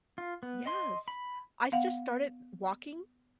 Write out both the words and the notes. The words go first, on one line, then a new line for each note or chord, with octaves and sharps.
Yes. I just started walking
F4
B3
D#5 C6
B5
B3 F5 F#5